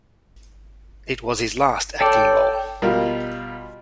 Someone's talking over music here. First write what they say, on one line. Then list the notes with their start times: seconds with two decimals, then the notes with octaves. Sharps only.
It was his last acting role.
2.01 A4 C#5 D5 G5
2.82 B2 G3 F4 F#4 A#4